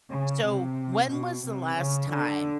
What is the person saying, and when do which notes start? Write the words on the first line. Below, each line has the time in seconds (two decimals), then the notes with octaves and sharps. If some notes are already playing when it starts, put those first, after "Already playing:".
So, when was the last time
0.11 C#3
0.44 C3
1.12 B2
1.45 C3
1.79 C#3
2.12 D3